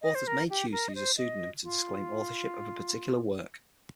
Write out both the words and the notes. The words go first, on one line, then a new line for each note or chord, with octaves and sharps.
Authors may choose to use a pseudonym to disclaim authorship of a particular work.
D#5
C5
A#4
G4
A#4
D#5
C5
D#5
F4